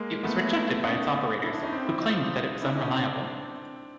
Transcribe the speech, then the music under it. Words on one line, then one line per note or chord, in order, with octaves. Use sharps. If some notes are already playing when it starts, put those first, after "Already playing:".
It was rejected by its operators, who claimed that it was unreliable.
Already playing: G#3 A#3
A3 B3
C#4 D#4
D4 E4
D4 E4
C#4 D#4
C4 D4
D4 E4
D#4 F4
D4 E4
C#4 D#4
C4 D4